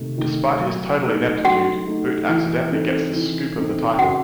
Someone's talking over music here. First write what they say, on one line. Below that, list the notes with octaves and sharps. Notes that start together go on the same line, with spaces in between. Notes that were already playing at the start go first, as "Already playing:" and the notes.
Despite his total ineptitude, Boot accidentally gets the "scoop" of the title.
Already playing: C3 D#3 A3
D#3 A3
F#3
A3 D#4
F#3 F#4 F#5
A3 D#4
E3
C4 D#4 A4
E3
C4 D#4 A4
C#3 F#4 F#5